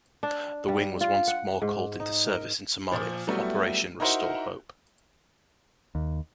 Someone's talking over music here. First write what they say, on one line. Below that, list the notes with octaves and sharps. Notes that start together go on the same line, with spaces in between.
The wing was once more called into service in Somalia for Operation Restore Hope.
D4
G3
F4
F#5
G#2
D#4
A#4
A#2 F3
F#3 G3 A3 B3 E4
D#4 E4 F#4 A#4 C5 F#5
D#2